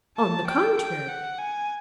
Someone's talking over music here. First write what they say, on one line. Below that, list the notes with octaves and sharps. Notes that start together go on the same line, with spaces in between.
On the contrary!
A5
G5
G5
F#5
G#5